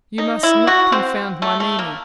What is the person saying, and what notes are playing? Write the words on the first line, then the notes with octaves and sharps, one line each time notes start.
You must not confound my meaning.
D#4
E4
F#4
C4
A3
A3
A#3